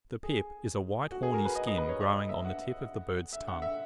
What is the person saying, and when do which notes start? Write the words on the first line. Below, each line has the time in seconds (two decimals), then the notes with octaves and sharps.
The pip is a white horny skin growing on the tip of the bird's tongue.
0.23 G#4
1.11 F#4
1.23 G#4
1.34 A#4
1.45 B4
1.55 D#5
1.67 D#5
1.78 B4
1.89 C#5
2.00 D#5
2.14 D#5
2.29 E5
2.45 F#5
3.33 E5
3.47 F#5
3.62 E5